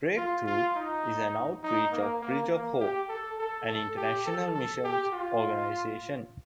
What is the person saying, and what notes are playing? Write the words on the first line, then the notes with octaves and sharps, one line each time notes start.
"Breakthrough" is an outreach of Bridge of Hope, an international missions organization.
F4
F4
D#4
D#4
A#3
A#3
A#3
G4
A4
A4
A4
G4
A4
A4
G4
F4